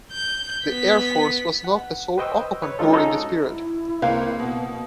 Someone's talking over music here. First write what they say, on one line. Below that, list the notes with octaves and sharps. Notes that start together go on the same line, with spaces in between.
The Air Force was not the sole occupant during this period.
G6
B3 B6
F#5
B4 C5 D#5 G5 C#6 E6
B4 C#5
G#3 D4 D#4 F4 A4
C#4 D#4 F#4 A4 C#5 D#5
E4
C#2 A#3 C4 B4 F5
B2 F#5